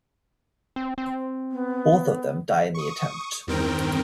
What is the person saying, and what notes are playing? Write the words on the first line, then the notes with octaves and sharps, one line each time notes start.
Both of them die in the attempt.
C4
C4
B3
C#6 D#6
E2 G2 D#3 C4 A#4 G5